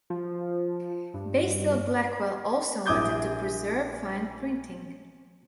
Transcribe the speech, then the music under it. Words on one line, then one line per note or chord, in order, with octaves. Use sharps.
Basil Blackwell also wanted to preserve fine printing.
F3
G2
A#1 E4 D6 D#6 G6 G#6